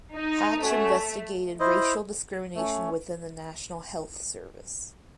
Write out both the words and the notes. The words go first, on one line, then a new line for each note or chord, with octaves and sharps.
Hatch investigated racial discrimination within the National Health Service.
D#4
A3 C#4 F#4 C#5
E4 C5 D#5
A3 C#4